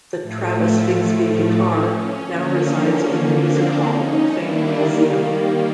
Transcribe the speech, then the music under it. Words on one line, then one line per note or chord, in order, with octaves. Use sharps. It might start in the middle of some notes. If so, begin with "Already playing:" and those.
The Travis-Bigsby guitar now resides in the Music Hall of Fame Museum.
A2 F3 A3
C#4
D3 F3 A#3 C#4
C#4
C4 D4
C#4 D#4
D#3 G3 A#3 D4 E4